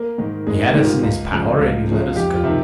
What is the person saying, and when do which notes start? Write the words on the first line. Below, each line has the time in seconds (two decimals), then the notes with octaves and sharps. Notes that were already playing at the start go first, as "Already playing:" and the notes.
He had us in his power and he let us go.
Already playing: A#3 A#4
0.18 G#2 D#3
0.47 G#1 G#3 G#4
0.66 G4
0.75 G#2 D#3
0.84 F4
1.03 C#2
1.32 C#3 F3 G#3
1.59 C#2
1.87 C#3 F3 G#3
2.16 F2 G4
2.35 F4
2.44 C3 D#3